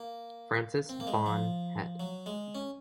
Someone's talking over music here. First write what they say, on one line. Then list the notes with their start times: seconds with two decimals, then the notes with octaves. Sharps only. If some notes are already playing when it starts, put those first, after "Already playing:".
Francis Bond Head.
Already playing: A#3
0.89 C4
1.00 A#3
1.07 G#3
1.26 F3
2.00 F#3
2.26 G#3
2.55 C#4